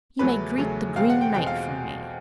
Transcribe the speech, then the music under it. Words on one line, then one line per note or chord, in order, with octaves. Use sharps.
'You may greet the Green Knight from me.'
E2 C#3 F#3 A3 B4
E2 C#3 F#3 A3
E2 B2 G#3 C4 F5
F#5
G5
E2 B2 G#3 C4 G5
F5